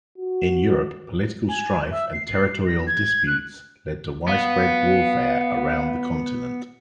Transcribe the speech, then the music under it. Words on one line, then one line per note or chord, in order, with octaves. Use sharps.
In Europe, political strife and territorial disputes led to widespread warfare around the continent.
F#4
G#5
E5
C7
C7
A#6
G#6
F#6
B3 F5